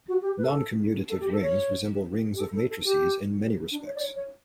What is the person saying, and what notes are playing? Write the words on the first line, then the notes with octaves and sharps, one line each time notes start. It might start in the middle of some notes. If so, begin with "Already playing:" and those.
Noncommutative rings resemble rings of matrices in many respects.
F#4
G4
B4
A4
A4
G4
A4
C#5
G4
A4
A4
A4
G4
D4
C#5
D5
C#5
C#5